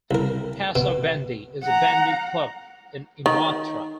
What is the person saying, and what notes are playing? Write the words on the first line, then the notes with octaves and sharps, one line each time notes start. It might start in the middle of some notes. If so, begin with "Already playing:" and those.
PaSa Bandy is a bandy club in Imatra.
C2 A#4
B2
F#5 A#5
D#3